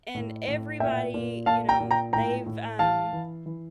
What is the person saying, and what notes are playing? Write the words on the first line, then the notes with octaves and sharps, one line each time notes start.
and everybody, you know, they've, um,
A2
A2
A#2 E5 G5
A#2
A#2 F5 A5
G5 A#5
A#2
G5 A#5
A2 G5 A#5
A2
E3 F5 A5
E3
E3